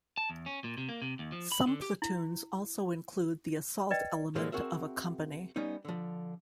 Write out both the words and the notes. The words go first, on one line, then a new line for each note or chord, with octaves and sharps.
Some platoons also include the assault element of a company.
A5
E2
C#4
A#2
C3
A#3
C3
D#2
F3
B5
D3
G4
E4
B4 D5 D#5 G5
A2 D3 F3 G3 G#3 A#3
C4 F#4 G#4 A#4 E5
G3 B3 C#4 D#4
D3 F3